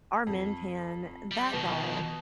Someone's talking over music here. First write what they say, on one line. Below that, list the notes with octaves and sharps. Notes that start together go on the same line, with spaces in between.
our Min Pin, that dog,
F2
G3
B2 D#3 F3